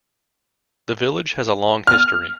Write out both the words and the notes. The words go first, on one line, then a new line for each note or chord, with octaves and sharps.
The village has a long history.
F6